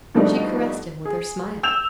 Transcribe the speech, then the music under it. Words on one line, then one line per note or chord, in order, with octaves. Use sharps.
She caressed him with her smile.
B2 F3 G3 A3 D4 D#4
G#4
E6 G6 E7 F7